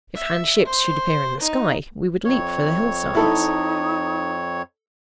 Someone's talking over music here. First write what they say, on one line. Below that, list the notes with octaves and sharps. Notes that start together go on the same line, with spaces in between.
If Han ships should appear in the sky, we would leap for the hillsides.
E5
C5
D#4
F2 C#5
D#4 E4 A4